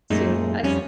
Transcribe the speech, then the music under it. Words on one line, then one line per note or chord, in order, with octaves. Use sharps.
soon, I s
F#2 A#2 G#3 A3 D#4
F2 G3 C#4